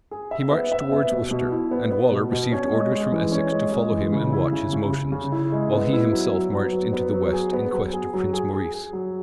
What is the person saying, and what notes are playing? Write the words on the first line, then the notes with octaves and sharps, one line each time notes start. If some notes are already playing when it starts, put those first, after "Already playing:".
He marched towards Worcester; and Waller received orders from Essex to follow him and watch his motions, while he himself marched into the west, in quest of Prince Maurice.
G#4
E5
B3
E5
B3
B2
B2
E4
B3
B3
B2
B2
C#4
G#3
G#3
E3
C#4
G#3
G#3
E3
C#3
E4
C#3
C#3
C#3
C#3
E4
G#3
B3
E4
F#3
F#3
B3
F#3
B3
F#3
G#4
B3
F#3
G#4
F#3
G#4
G#4
G#4
F#3